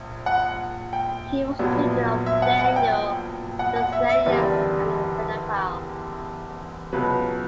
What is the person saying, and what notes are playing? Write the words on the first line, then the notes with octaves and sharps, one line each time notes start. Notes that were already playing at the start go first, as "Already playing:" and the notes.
He was a student of Daniel Juslenius and a Fennophile.
Already playing: A#1 A#2
F#5
G5
A#1 A#2 F#3 B3 D4
E5
F#5
F#5
G5
F#5
F#5
E5
E5
F#1 E2 D3 G3 D5
C#2 B2 F#3 B4